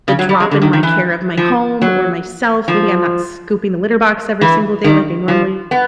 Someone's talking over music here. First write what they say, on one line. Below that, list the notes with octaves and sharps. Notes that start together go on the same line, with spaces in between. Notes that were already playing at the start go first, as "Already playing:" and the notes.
the drop in my care of my home or myself, maybe I'm not scooping the litter box every single day like I normally
C#3
F#3
G3
G#3
D3
D#3
D#3
E3
F3
F#3
F3
E3
D#3
F3
B3